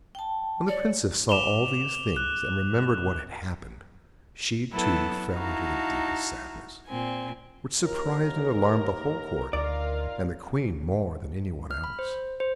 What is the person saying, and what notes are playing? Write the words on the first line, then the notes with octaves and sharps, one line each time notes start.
When the Princess saw all these things, and remembered what had happened, she, too, fell into the deepest sadness, which surprised and alarmed the whole Court, and the Queen more than anyone else.
G5 A5
C#5 D5
D6 E7 F7 G7
F#6
F#3 B3 E4 A4 B4
D#4 E4 F#4 F5 A5 A#5
A#2 C4 G#5
D#2 A#4
D2 D#3 F4 A#4 D5 F5
F6
B5
C5
C5